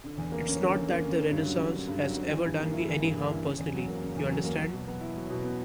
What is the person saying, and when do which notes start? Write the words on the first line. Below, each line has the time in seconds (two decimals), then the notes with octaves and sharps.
It's not that the Renaissance has ever done me any harm personally, you understand.
0.04 D3
0.18 E2
0.32 A#3
0.47 C#4
0.60 D3
0.74 E2
0.89 A#3
1.03 C#4
1.17 D3
1.31 G2
1.46 F#3
1.60 G2
1.74 D3
1.88 G2
2.03 F#3
2.16 G2
2.31 E3
2.45 G2
2.60 A#3
2.74 E4
2.88 E3
3.02 G2
3.17 A#3
3.30 E4
3.45 C#3
3.59 E2
3.74 F#3
3.88 A#3
4.01 C#3
4.16 E2
4.30 F#3
4.44 A#3
4.59 F#3
4.73 B2
4.88 B3
5.01 E4
5.16 F#3
5.30 B2
5.44 B3